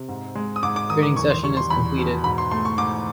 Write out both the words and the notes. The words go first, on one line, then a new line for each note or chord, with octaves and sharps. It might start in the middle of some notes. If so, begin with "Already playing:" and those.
Training session is completed.
Already playing: C3
G#2
G#3
D#6
G#2 D6
D6
D#3 D#6
D6
E2 C#6
C6
G3 C#6
C6
E2 B5
B2
G#2 B5
C6
A3 C6
C#6
G#2 D6